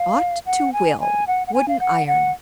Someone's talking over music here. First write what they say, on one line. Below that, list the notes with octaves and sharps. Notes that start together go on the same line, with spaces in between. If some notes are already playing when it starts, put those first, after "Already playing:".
"Ought to will!"--wooden iron!
Already playing: F5
F#5
G#5
G#5
F#5
F#5
G#5
F5
F#5
F#5